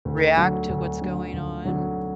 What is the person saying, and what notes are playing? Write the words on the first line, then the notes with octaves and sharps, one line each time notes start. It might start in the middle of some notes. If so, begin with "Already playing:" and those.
react to what's going on?
D2
D3 F#3
D2
D3 F#3
D2
D3 F#3